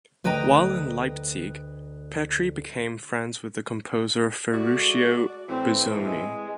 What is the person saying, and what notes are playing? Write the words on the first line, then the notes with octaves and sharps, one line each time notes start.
While in Leipzig Petri became friends with the composer Ferruccio Busoni.
D2 B4 D#5 G5 A#5
G#3 A3 F#4 D5
A2 E3 C4
G#3